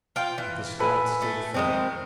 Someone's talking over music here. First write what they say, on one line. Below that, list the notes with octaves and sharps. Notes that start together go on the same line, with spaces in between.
But the Scots stood firm.
F4 G5
E3
A4 B4 G#5
A3
D#3 G#3 C4